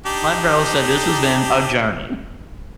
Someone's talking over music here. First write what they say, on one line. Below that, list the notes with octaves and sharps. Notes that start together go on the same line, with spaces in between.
My girl said, "This has been a journey."
D4 D#4 G4